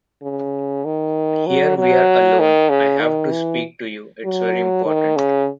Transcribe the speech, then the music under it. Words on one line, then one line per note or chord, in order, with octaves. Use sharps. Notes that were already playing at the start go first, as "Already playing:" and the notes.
Here we are alone, I have to speak to you; it’s very important.
C#3
D#3
F#3
F#3
D#3
C#3
D#3
E3
F#3
D#3
C#3